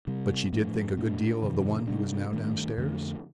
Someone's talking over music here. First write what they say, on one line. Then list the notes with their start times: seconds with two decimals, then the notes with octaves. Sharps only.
"But she did think a good deal of the one who is now downstairs?"
0.07 C3 G3 C4
0.53 A2 F3 A3 D4
0.97 A#2 A3 D4
1.43 F2 C3 D#3
1.88 C3 G3 D4
2.33 G2 D#3 A3
2.77 F2 D3 A3